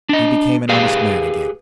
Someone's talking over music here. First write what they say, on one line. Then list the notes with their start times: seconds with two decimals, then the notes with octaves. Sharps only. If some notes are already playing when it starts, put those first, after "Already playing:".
"He became an honest man again!"
0.09 D4 D#5
0.69 G4 G#4 B4 F5